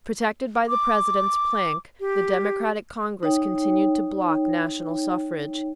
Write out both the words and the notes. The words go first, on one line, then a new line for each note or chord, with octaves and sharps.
Protected by the President's plank, the Democratic Congress continued to block national suffrage.
D6
G4
D#4 C#5 G5